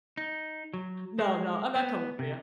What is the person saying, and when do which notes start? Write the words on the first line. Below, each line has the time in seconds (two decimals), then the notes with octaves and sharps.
No, no, I'm not coming for you.
0.17 D#4
0.74 F#3
1.19 G#3
1.76 B3
2.19 C3